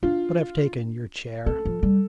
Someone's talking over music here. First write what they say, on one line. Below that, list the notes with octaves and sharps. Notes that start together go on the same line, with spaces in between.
But I've taken your chair.'
D4 F4
C4 A4
F3
G3